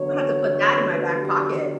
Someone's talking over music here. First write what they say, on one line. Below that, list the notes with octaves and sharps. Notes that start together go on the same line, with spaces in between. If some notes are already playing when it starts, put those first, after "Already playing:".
I'm gonna have to put that in my back pocket.
Already playing: E2 D3 F#3 C#5
B4
G4
G4